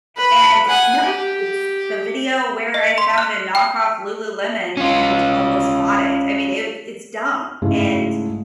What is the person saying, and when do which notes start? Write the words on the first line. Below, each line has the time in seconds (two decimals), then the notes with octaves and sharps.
And no, it's the video where I found a knockoff Lululemon and almost bought it. I mean, it it's dumb, and
0.17 B4 B5
0.68 F#5 G#5
1.03 G4
2.74 D#5
2.98 C6
3.18 F#6
3.55 G5
4.77 C#4 F4
7.62 G#2 C#3 G#3 A3 E4 G#4